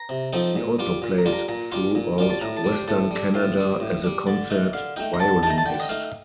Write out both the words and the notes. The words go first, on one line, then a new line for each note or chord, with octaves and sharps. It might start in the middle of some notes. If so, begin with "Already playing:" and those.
He also played throughout Western Canada as a concert violinist.
Already playing: A#5
C3
F3 C4 D#4 A4
A#2
G3 D4 F4
A#2
A#5
G3 D4 F4
A#5
A#2 A#5
G3 D4 F4
A#2
G3 D4 F4
A5
A2 A#5
A5
G3 D4
C5
A2 A4
G3 D4
A2 F4
G3 D4
A2
G3 D4
D3 D5
A3 D#4
D3 F5
A3 D#4 G5
A#5
D3 A5
A3 D#4 A5 A#5
A5
D3 G5
D#5
A3 D#4 F5